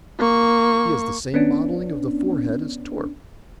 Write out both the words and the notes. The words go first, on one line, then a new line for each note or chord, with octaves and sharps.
He has the same modelling of the forehead as Torp.
A#3 C#6
B3 C#4 D4